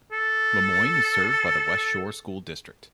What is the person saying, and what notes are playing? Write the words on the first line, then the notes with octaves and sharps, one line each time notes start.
Lemoyne is served by the West Shore School District.
A4